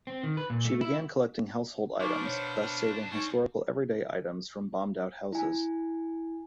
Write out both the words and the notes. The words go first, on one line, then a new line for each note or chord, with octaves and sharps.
She began collecting household items, thus saving historical every-day items from bombed-out houses.
C4
D#3
B4
A#2
A3
E4
F3 D4 D#4 B4 C5 F5 C#6 D6
B2 C#5
G3 C4 D#4 C#5 A5
E4 G#5